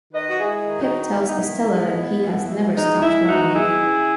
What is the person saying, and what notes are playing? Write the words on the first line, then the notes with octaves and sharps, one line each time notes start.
Pip tells Estella that he has never stopped loving her.
D#3 B4 D#5
F#4
G#3 E4 G#4
D#3
D#4 F#4
D#3
B3 E4
D#4
E4
D#3
G#3
B3
B2
B2
G#3 D#4
G#3 E4
B2 D#4 F#4
E3 E4 G#4
C#3